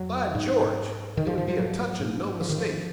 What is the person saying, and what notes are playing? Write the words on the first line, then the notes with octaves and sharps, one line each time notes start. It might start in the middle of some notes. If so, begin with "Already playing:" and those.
'By George! it would be a touch, and no mistake.
Already playing: F2 F#3
G#2
G#2 D#3
F3
F3
F3
F#3
G#2
F3
D#3
F3